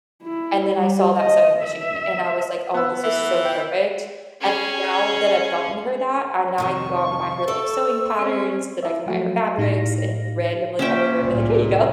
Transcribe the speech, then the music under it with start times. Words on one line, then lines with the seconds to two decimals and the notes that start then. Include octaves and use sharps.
And then I saw that sewing machine and I was like, "Oh this is so perfect," and now that I've gotten her that, and now I can go out and buy her, like, sewing patterns, then I can buy her fabrics and randomly come over and be like, "Here you go."
0.23 E4
0.76 G3
1.17 D#5
1.63 E5
2.74 B3 E6
3.04 E3
3.45 G5
4.41 C#4 G#4
6.58 F2 C3 D#3 C#6
7.48 A4 D5 E5 A5 E6
8.19 C4 C#4 C5
8.83 E4 A#4 D5 E5
9.06 F3 F#3 A3 F#4
9.58 A2 D#4 E4 G4 F5 A#6
10.79 A#2 C#4 E5 G5
11.20 C2 A2